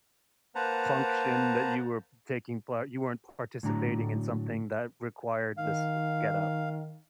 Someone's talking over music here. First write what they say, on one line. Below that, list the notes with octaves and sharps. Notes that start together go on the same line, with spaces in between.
Function that you were taking part, you weren't participating in something that required this getup.
A#3 B4 C5 F#5 A5 A#5
A2 D3 F#3 D4 A5 A#5
D#3 F5